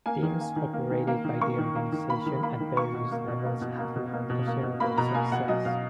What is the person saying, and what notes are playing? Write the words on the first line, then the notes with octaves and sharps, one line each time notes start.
Teams operated by the organization at various levels have known considerable success.
A#3 G#5
D#3
A#3
D#3
A#3
D#3
A#3
D#3
A#3 C#6
D#3
A#3
D#3
A#3 B5
D#3
A#3 B5
D#3
A#3 C#6
B2
A#3
B2
A#3
B2
A#3
B2
A#3
B2
A#3
B2
A#3 B5
B2 A#5
A#3 G#5
B2 F#5
F#3 D#5
B2 F5